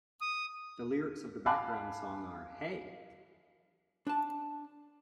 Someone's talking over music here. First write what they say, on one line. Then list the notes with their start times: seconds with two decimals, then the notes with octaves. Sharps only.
The lyrics of the background song are Hey!
0.21 D#6
1.46 F5 G#5 A5 B5 D6 F#6
4.07 D4 A5